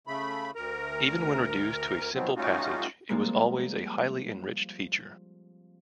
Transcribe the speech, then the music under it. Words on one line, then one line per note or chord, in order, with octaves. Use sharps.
Even when reduced to a simple passage it was always a highly enriched feature.
C#3 A3 B5
D2 A#4 A#5
B2 D#3 F3 F#3 B3 C4
G3 A3 C#4 D#4 F4 F#4
F3 G3 G#3 A#3 C4